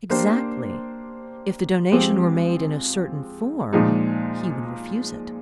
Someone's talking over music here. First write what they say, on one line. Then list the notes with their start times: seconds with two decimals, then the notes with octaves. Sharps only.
"Exactly: if the donation were made in a certain form he would refuse it."
0.10 A#3 D4 G4 C5
1.92 F3 G#3 C4 G4
3.73 A#2 F3 G#3 D#4